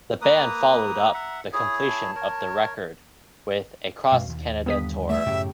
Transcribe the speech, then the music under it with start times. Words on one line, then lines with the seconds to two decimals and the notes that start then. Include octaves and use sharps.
The band followed up the completion of the record with a cross-Canada tour.
0.22 A#3 B4 A#5 D#6
1.14 E5 F#5
1.53 E4 G#4 C#5 D#6
1.87 A5
2.15 A#4 C#5
4.12 F#2 B2 G#3 C#4 F5
4.28 D#2
4.66 G2 D3 B3 D#6 B6
5.10 A3 E5
5.26 F#2 A2 C#3 G4